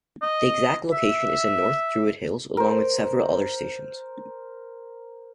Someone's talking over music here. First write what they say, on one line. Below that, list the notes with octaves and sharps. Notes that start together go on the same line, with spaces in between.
The exact location is in North Druid Hills, along with several other stations.
D#5
E5
A#4 C5